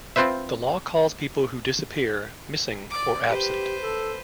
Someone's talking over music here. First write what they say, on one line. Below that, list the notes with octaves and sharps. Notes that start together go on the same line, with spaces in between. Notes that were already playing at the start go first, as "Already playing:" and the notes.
The law calls people who disappear "missing" or "absent".
C4 F4 B4 C5 E5
D5 D6
G4 B4 C5
A4